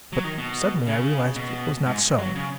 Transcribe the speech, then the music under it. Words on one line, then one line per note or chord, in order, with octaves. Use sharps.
But suddenly I realized it was not so.
F#3
D#3
B2
C#3
B2
G#2
F#3
C#3